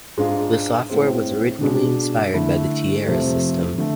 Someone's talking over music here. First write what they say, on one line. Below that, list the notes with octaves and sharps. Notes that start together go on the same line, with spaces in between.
The software was originally inspired by the Tierra system.
G#2 G#3 D4 F4
A2 G#3 C4
B2 G#3 D4
D3 A3 E4
F2 C3 F3 A3
D3 A3